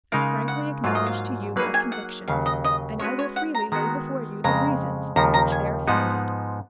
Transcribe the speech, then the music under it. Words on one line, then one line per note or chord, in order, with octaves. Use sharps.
I frankly acknowledge to you my convictions, and I will freely lay before you the reasons on which they are founded.
C#3 G#3 D#4 A#4 F5
F#5
G#2 F#3 A#3 F4 F5
D#5
F5
F#3 A#3 D#4 G#4 B4
G#5
F#5
D#2 C#3 F#3 F5
D#5
D#5
G#3 C#4 F#4 B4 C#5
C#5
F#5
A#5
D#3 G#3 B3 F#4 A#5
F2 C#3 G#3 A#5
D#2 C#3 F3 A#5
A#5
G#5
G#2 F3 G#3 B3 D#4 F#5